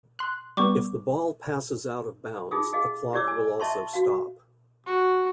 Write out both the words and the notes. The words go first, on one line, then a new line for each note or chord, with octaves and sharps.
If the ball passes out of bounds, the clock will also stop.
C6 F#6
G3 B3 C#6 D6
D#4 F4 G4 G#4 D#6
G#4 D#5 F5
E4 G4 C#5 D5 D6 E6
G#5
D#5 E5 A5 C6 C#6
F#4 F5
F#4